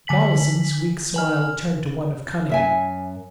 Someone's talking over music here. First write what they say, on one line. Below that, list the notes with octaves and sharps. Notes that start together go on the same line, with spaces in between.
Mollison's weak smile turned to one of cunning.
D3 G#5 B6 F#7
B4 G#5 F6
F#2 E5 G#5